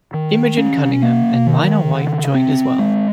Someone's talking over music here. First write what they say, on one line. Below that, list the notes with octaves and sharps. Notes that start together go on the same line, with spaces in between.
Imogen Cunningham and Minor White joined as well.
D#3
C#4
A#3
D#3
C#3
C4
G#3